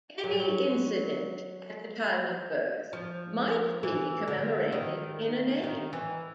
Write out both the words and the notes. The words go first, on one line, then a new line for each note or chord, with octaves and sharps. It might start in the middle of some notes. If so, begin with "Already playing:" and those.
Any incident at the time of birth might be commemorated in a name.
F#3
G3
F#3
F3
E3
D3
D#3
D#3
E3